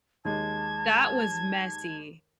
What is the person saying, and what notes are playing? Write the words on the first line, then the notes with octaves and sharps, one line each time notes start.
That was messy.
D#2 G#3 A5 G#6